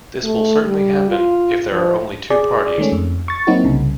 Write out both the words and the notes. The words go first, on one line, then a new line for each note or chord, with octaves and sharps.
This will certainly happen if there are only two parties.
A3
G3
F4
F3
G#4 D5
D#3 G#3 A3 C#4
F2
C#6 A6
F#3 A#3 C4 D#4 E4 F#4
C2 C#3